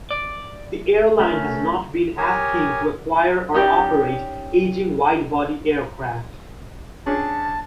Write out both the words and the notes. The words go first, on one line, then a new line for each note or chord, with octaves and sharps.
The airline has not been as keen to acquire or operate aging widebody aircraft.
D5
A3 C#4 A#4
G4 A#4 C#5 G#5 D#6
C#4 D#4 G4 D5
C#4 D4 G#4 A5